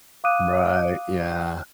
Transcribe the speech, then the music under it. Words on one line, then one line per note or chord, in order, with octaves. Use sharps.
Right, yeah.
F5 D6 D#6 F#6 D#7